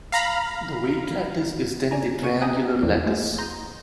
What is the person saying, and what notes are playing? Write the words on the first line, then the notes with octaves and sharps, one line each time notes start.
The weight lattice is then the triangular lattice.
F5 A#5 B5
C#4 D5 G#5 A#5
C3 G#4 C#6 D#7
E5 G5 G#5 A#5 D#6 F#6
E2 F3 A#3 C4 D4
A3 A#3 E4 G#4 C5 F#5
A#5 C6 D#6 G6